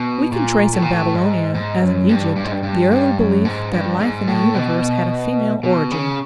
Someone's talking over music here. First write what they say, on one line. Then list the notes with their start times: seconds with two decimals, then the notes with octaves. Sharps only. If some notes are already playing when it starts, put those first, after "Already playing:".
We can trace in Babylonia, as in Egypt, the early belief that life in the Universe had a female origin.
Already playing: B2
0.32 A#2
0.73 A2
0.82 A#2
0.91 A2
1.14 G#2
1.55 G#2
1.82 F#2
2.09 G2
2.36 G2
2.44 G#2
2.52 G2
2.63 G2
2.91 G2
3.18 F#2
3.45 G#2
3.73 G2
4.00 G#2
4.27 A2
4.55 B2
5.63 B2
5.91 C#3